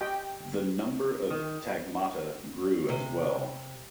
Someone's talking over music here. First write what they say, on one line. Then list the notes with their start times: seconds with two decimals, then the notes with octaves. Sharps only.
The number of tagmata grew as well.
0.01 G4 D#5 G5
1.30 D#3
2.89 C3